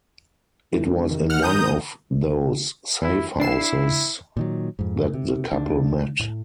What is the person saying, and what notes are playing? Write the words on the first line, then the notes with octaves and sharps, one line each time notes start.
It was in one of those safe houses that the couple met.
E3
E1
D#3
F#5 F6
A#5 D#6 G6
D#2
E4
D4 E4 C7 E7
A#2 D#3 F#3
F2 G#2
C3
D2 D4
A2